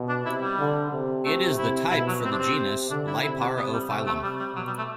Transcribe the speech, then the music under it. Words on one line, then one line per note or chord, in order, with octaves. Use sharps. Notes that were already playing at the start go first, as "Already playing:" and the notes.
It is the type for the genus "Liparophyllum".
Already playing: B2
D4
C3 E4
G3
D3
C3
A3
C3 E4
B2 E4
F#3
C3 C4
D4
C4
D3 D4
E4
C3 E4
D4
C3 B3
G3
C3 A3
A3
C3 G3
G3
B2 F#3
G3
A3